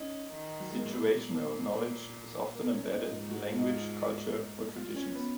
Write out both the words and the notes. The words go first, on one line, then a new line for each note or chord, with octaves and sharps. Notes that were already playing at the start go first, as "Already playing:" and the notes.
Situational knowledge is often embedded in language, culture, or traditions.
Already playing: C#4 D#4
D#3
F#3
G#3
A#3
A#2 B3
A#3
C#4
D#4
G#2 F4
F#4
F4
D#4
F4
F4
C#4
B3